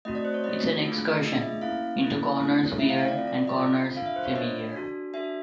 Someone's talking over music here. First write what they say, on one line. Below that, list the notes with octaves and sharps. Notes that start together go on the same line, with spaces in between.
It's an excursion, into corners weird and corners familiar.
A3 C4 D#4 F#4 D#5
D5
C5
C#5
A3 C4 D#4 F#4 D#5
A3 D4 F4 G#4
A3 D4 F4 G#4 D#5
E5
A#3 C#4 E4 F5
A#3 C#4 E4
A3 C4 E4 A4
A3 C4 E4 A4 E5
F5
G5
D5
C4 F4 A4
D5
D#5
C4 F4 A4
D4 F4 A4 F5
E5
C5
C#5
D4 F4 A4 D#5
D4 F#4 A4
D4 F#4 A4 E5